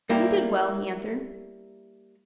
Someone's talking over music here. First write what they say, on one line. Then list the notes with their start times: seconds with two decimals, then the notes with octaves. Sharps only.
"We did well," he answered.
0.09 G3 A#3 E4 G4